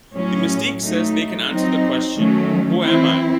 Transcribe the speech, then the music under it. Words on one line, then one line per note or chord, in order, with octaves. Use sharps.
The mystique says they can answer the question 'Who am I?
A2 F#3 C#4
F#3 A3 D#4
F#3 C4 D#4
D#3 F#3 A3 C#4
E3 C4 E4